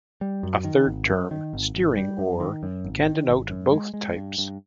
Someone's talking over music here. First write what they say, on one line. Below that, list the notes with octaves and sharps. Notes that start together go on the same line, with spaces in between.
A third term, steering oar, can denote both types.
G3
F#2
D#3
G#1
F#2
D#3
G#1
G#1
G3
F#2
D#3
F#2
G#1
D#3
G#1
F#2
G#3
G#3
G2
G2